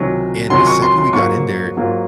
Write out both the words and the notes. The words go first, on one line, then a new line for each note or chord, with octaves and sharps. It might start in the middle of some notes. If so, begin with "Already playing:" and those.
And the second we got in there,
Already playing: C#2 C3 D#3 F#3 C#4
C#2 C3 D#3 F#3 C#4 C6
C#6
C6
C6
G#2 F#3 A#3 F4 C#6
G#2 F#3 A#3 F4